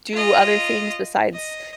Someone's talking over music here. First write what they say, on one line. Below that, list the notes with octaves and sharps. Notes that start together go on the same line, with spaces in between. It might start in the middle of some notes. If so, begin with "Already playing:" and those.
do other things besides
F4 D#5
D#5